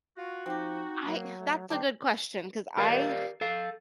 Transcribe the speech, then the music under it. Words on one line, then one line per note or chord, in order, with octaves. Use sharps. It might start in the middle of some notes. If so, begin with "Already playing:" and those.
I that's a good question 'cause I
F4 F#4
F3 C4 D#4 G4
F#3 A#3
A3
D#3 G3 D4 G4 C5
G4 A#4 D5 F5
A4 F5